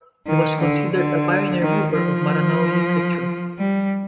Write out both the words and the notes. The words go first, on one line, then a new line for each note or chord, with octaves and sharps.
He was considered a pioneer mover of Maranao literature.
D#3
D3
D3
D#3
F3
G3